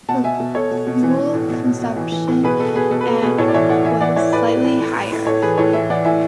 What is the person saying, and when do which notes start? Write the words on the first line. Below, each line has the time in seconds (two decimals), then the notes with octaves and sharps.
The fuel consumption at was slightly higher.
0.08 B2 F#5 A5
0.24 B2 E5 G#5
0.40 B2
0.55 B2 A4 C#5
0.71 B2
0.87 B2
1.03 E3
1.18 E3
1.34 A2
1.50 B2
1.65 B2
1.82 B2
1.96 E3
2.12 E3
2.28 A2
2.43 B2 G#4 B4
2.60 B2 A4
2.75 B2 G#4 B4
2.91 B2 A4
3.01 B4
3.07 B2 A4
3.22 B2 G#4 B4
3.38 A2 A4 C#5
3.48 D5
3.53 E3 C#5 E5
3.69 A2 D5 F#5
3.85 E3 E5 G#5
4.00 E3 D5 F#5
4.16 E3 C#5 E5
4.33 A2 B4 D5
4.48 A2
4.64 A2
4.80 A2
4.96 A2
5.12 A2
5.26 A2 A4 C#5
5.42 E3 G#4 B4
5.58 A2 A4 C#5
5.73 E3 C#5 E5
5.90 E3 D5 F#5
6.05 A2 E5 G#5